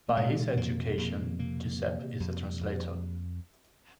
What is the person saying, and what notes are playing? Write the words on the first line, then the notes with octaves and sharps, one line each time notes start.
By his education Giuseppe is a translator.
A#3
C3 G#3
F2 A#3
F2 A#3
C3 A#3
C3
F2
F2